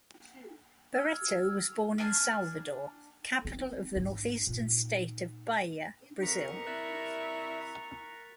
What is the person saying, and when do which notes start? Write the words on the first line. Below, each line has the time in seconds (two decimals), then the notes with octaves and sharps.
Barreto was born in Salvador, capital of the northeastern state of Bahia, Brazil.
0.94 E6 F6 G#6
1.98 D4 G#5 A5 F6
3.45 C4
3.96 G#2 D4
4.47 A#2 D#4
6.23 F2 A#4 A#5 C#6 A#6 B6 C#7
6.67 C3 D4 E4 F#6 A6